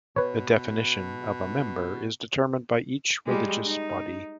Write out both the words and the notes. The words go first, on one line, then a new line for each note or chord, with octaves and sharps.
The definition of a member is determined by each religious body.
B2 B4 C#5
G3 G#3
D#4